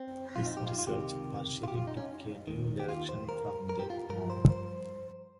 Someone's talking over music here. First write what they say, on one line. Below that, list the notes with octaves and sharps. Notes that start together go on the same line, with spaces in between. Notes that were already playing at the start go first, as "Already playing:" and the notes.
His research partially took a new direction from then on.
Already playing: C4
F4
D#4
G4
F4
F4
C#2 C3 D#3 G4
F4
G4
F4
D#4
C#4
D#2 D#3
G4
F4
C5
A#4
A#4
G4
F4
G2 F3 A#4
C5
C5